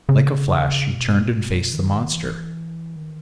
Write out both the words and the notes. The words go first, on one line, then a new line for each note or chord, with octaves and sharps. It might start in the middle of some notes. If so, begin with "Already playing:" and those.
Like a flash she turned and faced the monster.
C#3
B2
D#3
E3
D#3